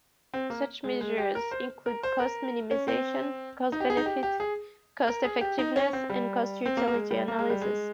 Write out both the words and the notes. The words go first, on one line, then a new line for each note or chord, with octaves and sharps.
Such measures include cost-minimization, cost-benefit, cost-effectiveness, and cost-utility analysis.
C4
A#3
G#3
G#3
G4
A#4
C5
A#4
C5
A#4
C#4
C4
D#4
G4
G#4
D#4
G4
G4
G#4
A#4
G#4
G4
D#4
C#4
C4
G3
C4
A#3
A#3
G#3
G3
A#3
G#3
G3
G#3